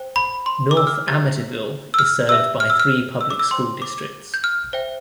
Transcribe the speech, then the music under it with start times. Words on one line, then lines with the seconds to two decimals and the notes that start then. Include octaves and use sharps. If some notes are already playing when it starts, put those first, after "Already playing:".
North Amityville is served by three public school districts.
Already playing: C5 G5
0.16 B5
0.46 C6
0.71 D6
0.77 E6
0.87 F6
1.07 G4 C5 E5 G5 A6
1.94 E6
1.99 F6
2.29 G4 B4 E5 E6
2.60 F6
2.70 E6
2.80 F6
3.21 E6
3.30 D6
3.39 E6
3.51 C5 G5 C6
3.82 D6
4.34 G6
4.44 F6
4.73 C5 E5 G5